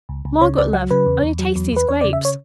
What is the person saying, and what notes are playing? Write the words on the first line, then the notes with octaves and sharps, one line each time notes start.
Margaret love, only taste these grapes!
C#2
C#2
C#3 C#5
C#2 D5
F#3 F#5
C#3 B4
E2
E2
F#3
E2
E2 B4
E2 C#5
D5
C#3
E5
C#5